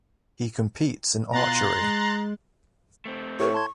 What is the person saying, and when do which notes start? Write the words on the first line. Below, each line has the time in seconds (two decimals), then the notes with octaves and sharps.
He competes in archery.
1.33 B2 F4 A#5 C6 F#6 A6
1.81 G#3
3.05 A3 C4
3.40 A2 G4 A#4 B4 C#6
3.54 A5 C6 G#6